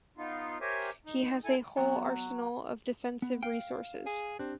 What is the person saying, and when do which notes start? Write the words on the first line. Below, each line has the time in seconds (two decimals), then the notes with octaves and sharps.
He has a whole arsenal of defensive resources.
0.18 B3 D#4 F4
0.61 G4 A#4 C5 C#5 E5 G#5
1.05 D#4
1.44 E4 A4 G#5
1.77 F#3 B3
3.22 B3
3.43 F5 G5
4.06 G#4
4.39 C4 D4 G4 F#6